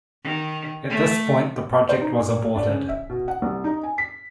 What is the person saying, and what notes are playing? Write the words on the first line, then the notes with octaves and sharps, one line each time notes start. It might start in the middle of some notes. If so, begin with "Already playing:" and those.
At this point the project was aborted.
D#3
A3
C5
D#4
A#2
D4
C#3
E5
B2
F#5
C2
D#4
G#5
B6